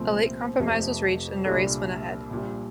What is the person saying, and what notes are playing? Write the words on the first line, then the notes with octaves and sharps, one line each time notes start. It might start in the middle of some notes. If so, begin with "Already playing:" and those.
A late compromise was reached and the race went ahead.
Already playing: C2 A#2 F3 A3 C4
F1 F2 C3 F3 A3
C2 A#2 G3 D4 A4
A#1 A#2 G3